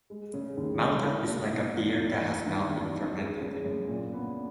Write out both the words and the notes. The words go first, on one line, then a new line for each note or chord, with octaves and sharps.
Malta is like a beer that has not been fermented.
G#3
C#3
D#2
E1
E4
A#3
B2
E2
E2
A#3
D#3
E2
D#4
G#3
C#3
F#2
A#2
B3